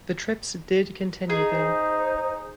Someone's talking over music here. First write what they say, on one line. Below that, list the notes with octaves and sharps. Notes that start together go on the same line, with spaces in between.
The trips did continue though.
D#4 G#4
C5